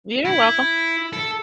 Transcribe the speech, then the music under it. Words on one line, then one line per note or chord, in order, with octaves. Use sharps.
You're welcome.
E4
A4